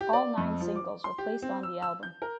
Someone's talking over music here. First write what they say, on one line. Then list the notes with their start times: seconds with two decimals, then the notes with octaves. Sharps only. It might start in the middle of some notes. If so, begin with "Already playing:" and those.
All nine singles were placed on the album.
0.01 G4
0.13 D5
0.37 F2
0.60 F3
0.76 D6
1.04 C6
1.18 G4
1.42 C4
1.63 E6
1.82 E6
2.03 G6
2.22 A#4